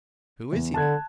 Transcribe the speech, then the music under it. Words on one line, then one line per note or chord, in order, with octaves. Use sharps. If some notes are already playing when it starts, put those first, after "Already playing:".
"Who is he, then?"
E2
D3 A5 F#6 G#6